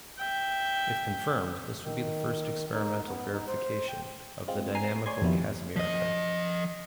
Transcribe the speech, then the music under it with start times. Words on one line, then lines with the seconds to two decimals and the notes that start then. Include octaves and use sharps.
If confirmed this would be the first experimental verification of the dynamical Casimir effect.
0.18 E5 G5
1.84 D#3
2.73 D#4
3.07 B3
3.33 D#4
3.47 C5
3.88 G5
4.48 G#3 C4 F4
4.75 G#5 A#5 C7
5.06 C#5 D5 G#5 C6 G#6
5.22 F2 B2 D#3 G3 A#3 E4
5.76 F3 D#5